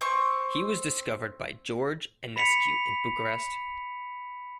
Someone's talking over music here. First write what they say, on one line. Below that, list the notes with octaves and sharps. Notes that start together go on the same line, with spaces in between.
He was discovered by George Enescu in Bucharest.
C4 C#6
B5 B6 C#7 F7